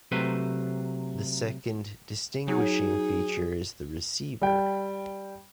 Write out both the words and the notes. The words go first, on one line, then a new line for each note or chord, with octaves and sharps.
The second distinguishing feature is the receiver.
C3 F#3 A3 B4 C5
F#3 D#4 G#4
G3 G5